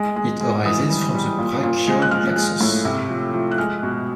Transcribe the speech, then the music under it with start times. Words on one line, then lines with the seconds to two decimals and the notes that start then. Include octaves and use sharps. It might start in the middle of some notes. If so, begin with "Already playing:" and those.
It arises from the brachial plexus.
Already playing: G#3
0.16 G#3
0.41 G#3
0.65 E3 D#6
0.90 G3
1.14 G3
1.38 A#2
1.63 A#2
1.87 G#3
2.02 F#6
2.11 F3 F6
2.36 G#3
2.61 A2
2.85 C3
3.09 F3
3.34 F3
3.51 F#6
3.58 G#3 F6
3.83 B2